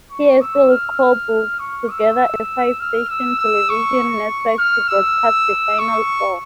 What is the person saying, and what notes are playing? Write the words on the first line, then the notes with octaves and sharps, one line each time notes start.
He hastily cobbled together a five-station television network to broadcast the Final Four.
C#6
E6
F6
C#6
E6
F6
E6
E6
C#6
F6
E6
C#6